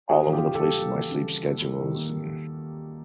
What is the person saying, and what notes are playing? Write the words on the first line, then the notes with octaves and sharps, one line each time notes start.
All over the place with my sleep schedules and
D#2 F#4 G#4
E3
F4 G4
C#3
G4 A4
G3
D#2
E3
C#3
G3
D#2
G3
D#3
A#3